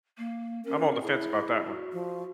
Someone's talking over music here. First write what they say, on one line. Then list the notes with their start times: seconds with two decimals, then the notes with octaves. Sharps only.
I'm on the fence about that one.
0.18 A#3
0.65 C#4 A#4
1.02 E4 G#4
1.64 F#4
1.93 F3